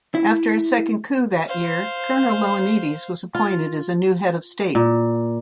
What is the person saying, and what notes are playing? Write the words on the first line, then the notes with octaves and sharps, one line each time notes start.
After a second coup that year, Colonel Ioannides was appointed as the new head-of-state.
E4
C5 F5
F4
A#2